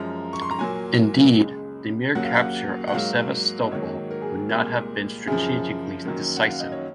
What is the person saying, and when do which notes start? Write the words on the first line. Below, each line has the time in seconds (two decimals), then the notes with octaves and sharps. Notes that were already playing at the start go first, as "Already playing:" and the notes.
Indeed, the mere capture of Sevastopol would not have been strategically decisive.
Already playing: F#2 F3 G#3 A#5
0.33 C#6
0.42 C6
0.51 A#5
0.59 A#2 F#3 A#3 G#5
1.38 C#2 C#3 G#3
2.15 D#2 C#3 F#3 A#3 F#5
2.25 F5
2.34 F#5
2.87 F#5
2.93 G#2 F#3 A#3 F5
3.60 D#5
3.72 G#2 D#3 F#3 A#3 C#5
4.11 A#4
4.22 G#4
4.34 A#4
4.49 C2 A#2 G#3 A#4
5.27 F#2 C#3 F3 G#4
6.05 F#2 D#3 F#3 A#3 A#4
6.37 F#5
6.49 F5
6.60 D#5
6.72 C#5